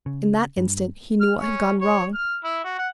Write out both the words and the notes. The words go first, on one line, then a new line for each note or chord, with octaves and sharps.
In that instant, he knew what had gone wrong.
C#3
G2
F6
C#4
C#5
F6
E4
F#4
F#5